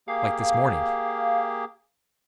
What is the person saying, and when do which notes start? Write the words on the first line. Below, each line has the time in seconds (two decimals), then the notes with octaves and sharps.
"Like this morning."
0.08 A#3 G4 G#4 F5